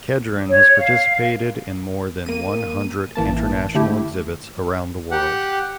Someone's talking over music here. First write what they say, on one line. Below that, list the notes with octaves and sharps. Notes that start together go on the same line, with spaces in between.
Kedrin has participated in more than one hundred international exhibits around the world.
C#5
F5
A#3 D#7
A1 E3 A#3 A5
D3 A3 E4 G4
G4 F#5